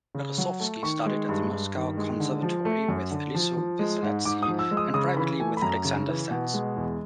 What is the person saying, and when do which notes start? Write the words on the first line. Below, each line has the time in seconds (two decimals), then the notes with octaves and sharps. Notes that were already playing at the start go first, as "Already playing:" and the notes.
Berezovsky studied at the Moscow Conservatory with Eliso Virsaladze and privately with Alexander Satz.
0.15 C#3
0.38 F#3
0.60 A3
0.83 D#3 C#6
1.06 G#3
1.29 G2
1.51 G2
1.75 D#3
1.97 G#3
2.20 D3
2.42 F3
2.65 A3
2.88 F#2
3.11 D3
3.35 F3
3.57 F3
3.79 G#3
4.03 G#2
4.25 G#2 D6
4.43 D#6
4.48 F3
4.59 E6
4.71 G#3
4.77 D#6
4.94 C#3 D#6
5.17 E3 B5
5.40 A3 G#5
5.57 B5
5.62 F#2 A#5
5.85 C#3
6.07 E3
6.31 B2
6.54 G#3
6.76 E2